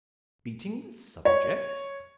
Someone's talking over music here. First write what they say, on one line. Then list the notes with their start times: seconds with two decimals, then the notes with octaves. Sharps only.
"Beating the subjects!"
1.25 C#5